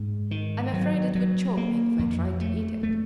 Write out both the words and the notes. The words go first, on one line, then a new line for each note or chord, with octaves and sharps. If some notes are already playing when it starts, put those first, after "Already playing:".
"I'm afraid it would choke me if I tried to eat it."
Already playing: G#2
D#3
F#3
F#3
A#3
F2
A3
A3